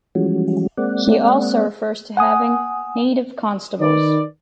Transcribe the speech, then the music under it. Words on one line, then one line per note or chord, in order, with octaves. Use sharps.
He also refers to having "native constables".
E3 F3 G3 G#3 C#4 F#4
G#3 A#3 C4 D5 F#5
F#5 G#5 D#6
D#3 B4 D5